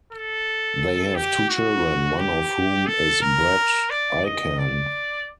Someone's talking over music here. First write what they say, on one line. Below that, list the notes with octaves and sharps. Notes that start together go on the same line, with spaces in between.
They have two children, one of whom is Brett Icahn.
A4
G4
F#4
G4
A4
A#4
D5
D#5
D5